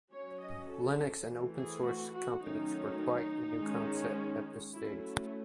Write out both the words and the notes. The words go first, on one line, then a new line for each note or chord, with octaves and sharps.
Linux and open-source companies were quite a new concept at this stage.
F#3 C#4 C#5
D#5
A4
E3 A3 C4
G#4
F#4
F#4
D#3 F#3 A3 C#4 D#4
D#3 G#3 C#4
F#3 A3 C#4 E4
E4